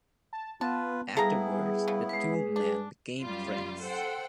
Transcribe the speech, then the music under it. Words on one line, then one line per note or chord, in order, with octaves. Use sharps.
Afterwards, the two men became friends.
A5
B3 F4 B4 A5
G3 B3 E4 G#4 A4 F5 A#5
C#3
G#3 B4
D4
F#2 G3 F4
A4 C5 F#5 G5